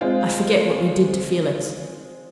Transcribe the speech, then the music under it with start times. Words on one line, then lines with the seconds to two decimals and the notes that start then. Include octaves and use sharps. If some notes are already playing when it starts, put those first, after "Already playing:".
I forget what we did to Felix.
0.01 G#3 C4 F4